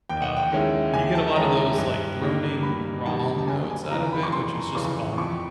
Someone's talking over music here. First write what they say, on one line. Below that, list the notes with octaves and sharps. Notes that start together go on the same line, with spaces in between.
Um, you get a lotta those, like, droning wrong notes out of it, which is just fun,
D#2 G5
F#5
G5
D#3 G#3 C#4 E4
D#2 G#5
A5
A5
D#3 G#3 C#4 E4 A#5
A#5
G2
D#3 G3 A#3 D#4
G2 B5
D#3 G3 A#3 D#4 A5
A5
F#1 G#5
G#5
F2 C#3 E3 A#5
B5
C#6
F#1 C6
F2 C#3 E3 C#6
F2 C#6